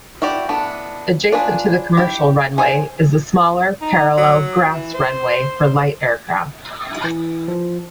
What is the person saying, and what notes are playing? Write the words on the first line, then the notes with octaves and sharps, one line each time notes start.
Adjacent to the commercial runway is a smaller, parallel, grass runway for light aircraft.
E4 F#4 G4 D5
A3 B3 D4 E4
D4 F4 G#4 B4
E4 G4
G#4 C5 G#5
D#4
F#3
E3
C5
E3
F3